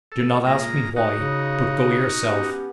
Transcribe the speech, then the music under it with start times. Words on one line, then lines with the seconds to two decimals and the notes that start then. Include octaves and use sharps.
Do not ask me why: but go yourself.
0.12 A4
0.47 A#2 G#3 A#5
0.96 D#4 F#4
1.18 C#3
2.27 B3 C#4 G4